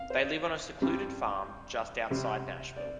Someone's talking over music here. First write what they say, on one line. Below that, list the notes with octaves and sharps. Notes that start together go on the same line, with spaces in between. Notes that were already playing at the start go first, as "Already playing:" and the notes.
They live on a secluded farm just outside Nashville.
Already playing: F5
C5
D5
G2 G3 C4
C3 G3 C4
D5